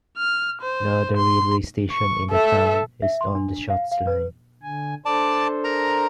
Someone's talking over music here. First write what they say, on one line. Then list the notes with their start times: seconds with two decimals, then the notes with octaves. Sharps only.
The other railway station in the town is on the Shotts Line.
0.18 F6
0.61 C5
1.16 C6
1.91 C#6
2.31 A4 E5
3.02 E5
3.21 C6
3.35 D4
3.70 F5
3.92 F5
4.07 B4
4.63 D3 G#5
5.05 D4 A4 C5 D5 A5
5.64 A#4 A#5